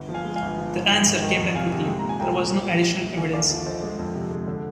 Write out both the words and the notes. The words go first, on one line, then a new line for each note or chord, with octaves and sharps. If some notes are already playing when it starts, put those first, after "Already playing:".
The answer came back quickly: There was no additional evidence.
Already playing: G1
F3
F5 G#5
G#3
F5 G#5
G1
F3
G#2
G#2
G#1
D#3 D#5 G5
F2
C3 F5 G#5
C3
G#3
A#2 A#5
G#5
C2 G5 A#5
A#2
G3
A#1
A#1
A#1
D3 F5 G#5
D#2 D5 F5
F3
D3 C5 D#5
G#3
F2
C3
G#3
D3